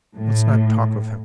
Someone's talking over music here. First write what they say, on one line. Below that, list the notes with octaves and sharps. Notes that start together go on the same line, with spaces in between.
Let's not talk of him.
A2